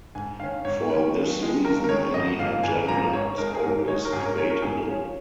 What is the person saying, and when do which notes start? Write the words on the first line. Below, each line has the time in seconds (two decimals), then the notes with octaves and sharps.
For this reason, any agenda is always debatable.
0.15 G#2 G#5
0.40 D#3 C#4 F5
0.65 G#2 C#5
0.90 D#3 C#4
1.15 D#2
1.40 D#3 G#3
1.64 D#2 A#4
1.84 A#4
1.89 D#3 G#3 C#5
2.14 G#1 D#5
2.39 G#2 F3 A#3 F5
2.63 G#1 G#5
2.88 G#2 F3 A#3 A#5
3.13 G#2 C#5
3.38 G#3 D#4 A#4
3.54 G#4
3.63 G#2 A#4
3.88 G#3 D#4 C#5
4.05 A#4
4.12 G#2 G#4
4.20 C#5
4.25 A#4
4.38 F3 C#4 C#5
4.50 A#4
4.62 G#2 G#4
4.87 F3 C#4